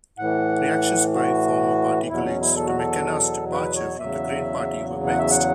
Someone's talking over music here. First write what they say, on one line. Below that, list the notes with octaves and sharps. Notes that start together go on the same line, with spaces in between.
Reactions by former party colleagues to McKenna's departure from the Green Party were mixed.
A2 E3 F#5
F#4
E2 B2 F#3 E4
C#4
E4
A4
F#4
A4
B4
C#5
E2 C#3 F#3 E5
F#5
E5
F#5